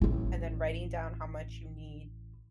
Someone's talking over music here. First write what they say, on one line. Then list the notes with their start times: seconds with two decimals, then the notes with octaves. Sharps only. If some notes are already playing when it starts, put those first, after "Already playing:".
and then writing down how much you need
0.02 A1 E4